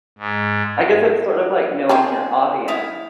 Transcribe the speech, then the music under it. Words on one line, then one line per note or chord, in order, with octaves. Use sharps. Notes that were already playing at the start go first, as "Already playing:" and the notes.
I guess it's sort of like knowing your audience
G#2
D#3 F3 G4 G#4 C5
E4 F5 D#6